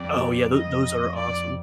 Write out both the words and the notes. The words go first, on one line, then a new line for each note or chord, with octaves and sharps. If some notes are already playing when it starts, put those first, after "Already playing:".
Oh yeah, tho those are awesome.
Already playing: F2 D5
D#5
D5